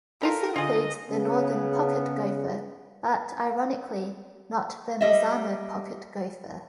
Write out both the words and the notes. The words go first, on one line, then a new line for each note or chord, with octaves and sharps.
This includes the Northern pocket gopher, but ironically, not the Mazama pocket gopher.
F4 A4 A#4 G5 A#5 B5
D3 F4 G#4 D#5
C#3 B3
G3 D#5 E5